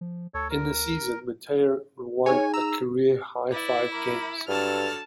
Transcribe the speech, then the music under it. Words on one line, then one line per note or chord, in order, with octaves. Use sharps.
In the season, Mitre won a career-high five games.
F3
D2 A4 C#5
A#4
D#4 G#4 C#5 G#5
A#5 E6
E4 B4 D5
A#4 B5 D6
G2 D3 F#3 A4 A5 F6